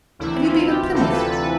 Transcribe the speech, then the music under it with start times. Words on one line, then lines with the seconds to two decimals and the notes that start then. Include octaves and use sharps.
'Have you been at Plymouth?
0.19 D2 C3 E3 E4
0.44 F4
0.69 G4
0.93 D2 C3 E3 A4
1.13 B4
1.32 B4